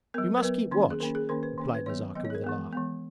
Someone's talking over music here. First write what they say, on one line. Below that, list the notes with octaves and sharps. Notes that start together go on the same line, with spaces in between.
You must keep watch,' replied Nazarka with a laugh.
F#3 B3 A#4
A#4
F#3 B3 B4
D#3 A#3 C#4
G#4
D#3 A#3 C#4 A#4
G#4
D#3 A#3 C#4 A#4
B4
D#3 A#3 C#4
B4
D#3 F#3 B3 C#5
D#3 F#3 B3 D#5
C#5
G#4
A#4
E3 G#3 B3
E3 G#3 B3